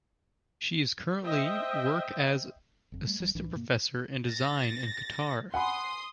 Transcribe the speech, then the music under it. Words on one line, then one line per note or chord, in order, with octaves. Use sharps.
She is currently work as Assistant Professor in design in Qatar.
C5 D#5 E5 G5
F#1 F2
G3 A3
D1 E2 G3
C2 A2 E3 D4
G2 B2 A#3
A6 A#6
F#5 G#5 B5 C6 D#6 C7